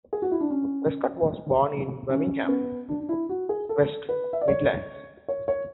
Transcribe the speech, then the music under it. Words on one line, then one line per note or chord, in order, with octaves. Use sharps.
Lescott was born in Birmingham, West Midlands.
G#4
F#4
E4
D4
C#4
C#4
C#4
B3
D4
D4
E4
F#4
G#4
A4
B4
E5
D5
C#5
C#5
C#5